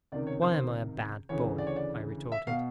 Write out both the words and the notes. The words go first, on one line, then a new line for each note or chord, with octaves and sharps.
"Why am I a bad boy?" I retorted.
C#2 C3 D#3 D5
C#5
C5
D2 C#3 E3 C#5
D5
C#5
D5
E5
B2 F5